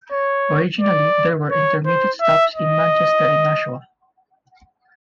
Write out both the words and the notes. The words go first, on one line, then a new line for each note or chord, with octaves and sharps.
Originally, there were intermediate stops in Manchester and Nashua.
C#5
D5
C#5
C5
E5
D#5